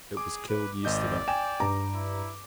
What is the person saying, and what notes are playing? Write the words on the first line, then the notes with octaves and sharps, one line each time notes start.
It was killed yesterday.
G#4 D6
B4
G#1 D5 D#5 G6
G5 G#5 E7
G2 A#5 D6
E4